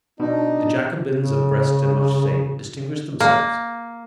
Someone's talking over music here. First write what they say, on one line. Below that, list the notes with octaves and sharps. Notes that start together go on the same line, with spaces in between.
The Jacobins of Brest and Marseilles distinguished themselves.
B2 D4 D#4
C#3
A#3